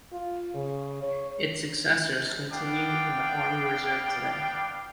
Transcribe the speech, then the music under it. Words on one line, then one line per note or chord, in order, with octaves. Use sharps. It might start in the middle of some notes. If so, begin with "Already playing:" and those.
Its successors continue in the Army Reserve today.
F4
C#3
C#5
B3 D4 F5 G5